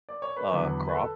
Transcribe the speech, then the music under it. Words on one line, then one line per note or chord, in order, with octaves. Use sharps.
uh, crop,
D5
C#5
B4
E2 D3 F#3
B4
A4